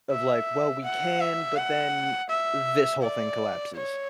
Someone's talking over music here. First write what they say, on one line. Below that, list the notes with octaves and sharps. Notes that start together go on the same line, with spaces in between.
of like, "Well, we can, but then this whole thing collapses."
E5
F#5
E5
F#5
E5
D5
C#5